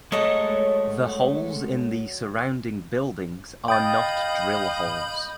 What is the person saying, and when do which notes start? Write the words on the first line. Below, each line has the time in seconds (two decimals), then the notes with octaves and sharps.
The holes in the surrounding buildings are not drill holes.
0.12 F#3 G#3 A3 A4 C#5 D#5
3.68 D#5 F5 G5 B5 D#6 G6 A6